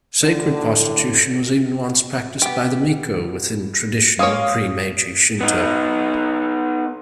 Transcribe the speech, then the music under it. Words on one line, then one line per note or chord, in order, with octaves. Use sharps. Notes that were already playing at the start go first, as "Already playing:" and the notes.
Sacred prostitution was even once practised by the Miko within traditional, pre-Meiji Shinto.
A2 D3
B3 G4
G#3 A#3 C#5 F5 D#6
B3 D#4